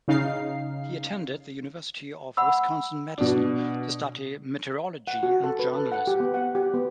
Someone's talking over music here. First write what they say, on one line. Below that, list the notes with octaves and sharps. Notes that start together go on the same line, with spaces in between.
He attended the University of Wisconsin-Madison to study meteorology and journalism.
C#3 D#4 F5 C7
F#5 B5 E6
B2 D4
F#5
F#4
A4
B4
A4
F#5
G4
B3
F#5
G4
B3